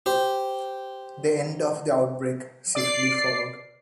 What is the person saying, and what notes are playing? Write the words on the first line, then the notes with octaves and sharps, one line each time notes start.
The end of the outbreak swiftly followed.
G4 C5
D5 C7